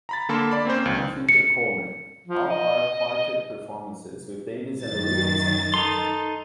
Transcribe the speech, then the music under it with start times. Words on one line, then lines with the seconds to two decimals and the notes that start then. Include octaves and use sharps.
None feature Coleman; all are quartet performances with Davis and the rhythm section.
0.09 A#5 B5 A6
0.29 D3 A#3 A4 A5 B5 C6
0.51 D5 B5
0.65 A#3 C4 C#4 C5
0.85 C#2
1.29 C#7
2.28 F3
2.49 D#5
4.83 F#2 D#3 A6
5.74 D#4 A4 C6